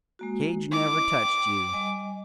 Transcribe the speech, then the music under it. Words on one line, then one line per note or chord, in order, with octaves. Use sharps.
Cage never touched you!
G#3 A#3 F#4
E4 D#5 D6
G5
G3 D#5 G#5